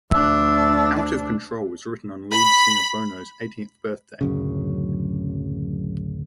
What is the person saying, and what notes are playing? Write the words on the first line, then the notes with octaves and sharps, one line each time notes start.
"Out of Control" was written on lead singer Bono's eighteenth birthday.
D2 D4 E5
B5
D1 F#2 C#3